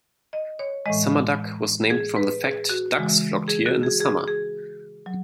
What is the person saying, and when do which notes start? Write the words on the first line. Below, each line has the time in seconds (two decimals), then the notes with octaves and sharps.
Sumerduck was named from the fact ducks flocked here in the summer.
0.33 D#5
0.59 C#5
0.86 A2 E3 G#3 D#5
1.90 G#4
2.16 B4
2.44 G#4
2.69 F#4
2.96 C#3 E3 G#3
3.48 G#4
3.66 F#4
3.83 G#4
4.01 G#4
4.28 G#4
5.06 F#3